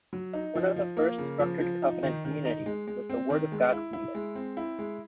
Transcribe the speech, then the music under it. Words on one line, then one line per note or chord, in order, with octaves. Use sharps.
One of the first structured covenant communities was the Word of God Community.
F#3
D#4
F3
F3
A#3
C#3
F3
F3
D#4
D#3
D#3
D#4
G#3
G#3
C4
D#3
G#3
E4
E4
G#3
C4
E4
G#3